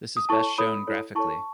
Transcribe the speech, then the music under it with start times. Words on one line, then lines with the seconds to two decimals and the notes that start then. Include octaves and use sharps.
This is best shown graphically.
0.17 D#6
0.29 E4 A4 C#5 A5 C#6
0.58 E4 A4 C#5 B5 D#6
0.87 E4 A4 C#5
1.15 E4 A4 C#5 A5 C#6